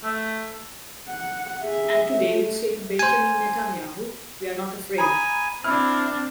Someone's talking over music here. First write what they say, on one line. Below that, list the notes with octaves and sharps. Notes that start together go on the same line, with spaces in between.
And today we say to Benjamin Netanyahu: We are not afraid.
A3
F#5
G#4 E5
A3
C5 G#5
G#5 A#5 B5 D#6
C4 D4 E4 F6